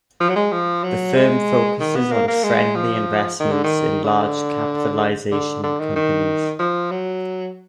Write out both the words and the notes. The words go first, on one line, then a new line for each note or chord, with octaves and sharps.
The firm focuses on friendly investments in large capitalization companies.
F3
F#3
G#3
F3
F#3
G#3
D#3
B3
A#3
A#3
G#3
F3
D#3
D3
D#3
D3
D3
D3
D#3
D#3
F3
F#3